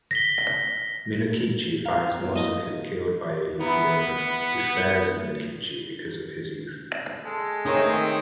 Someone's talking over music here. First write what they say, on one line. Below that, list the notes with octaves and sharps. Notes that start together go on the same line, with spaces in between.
Minokichi finds Mosaku killed by a Yuki-onna, who spares Minokichi because of his youth.
A#6 B6 G7
F5 A#5
F#3 A#3 B3
A2 D#5
E2 B3 E4 A#5
G#3 A4
A3 C4 D#4 G#4 A#4 C#5